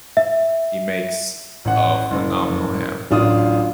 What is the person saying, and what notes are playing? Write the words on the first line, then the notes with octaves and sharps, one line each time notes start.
he makes a phenomenal ham,
E5
A1 F#5
F#1
D1 A1 D4 F4 D#6